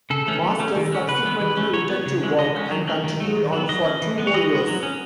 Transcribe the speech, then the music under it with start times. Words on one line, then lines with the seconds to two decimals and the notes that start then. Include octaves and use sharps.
Masters subsequently returned to work and continued on for two more years.
0.10 C#3 A4
0.27 E3 A3 C#4
0.43 F#3
0.60 A3 C#4
0.76 D#3
0.92 G#3 C#4
1.08 C#3 B4
1.25 E3 G#3 B3
1.41 E3
1.57 A3 C#4
1.73 F#3 C#5
1.89 B3
2.06 C#3
2.23 E3 G#3
2.38 C#3 D#5
2.55 G#3 C#4
2.71 F#3
2.87 A3 C#4
3.04 D#3
3.20 F#3 A3
3.37 D#3
3.52 F#3 B3
3.69 F#3 D#5
3.85 C#4
4.02 E3
4.18 G#3 B3
4.27 C#5
4.34 E3 D#5
4.51 G#3 B3
4.67 F#3
4.83 C#4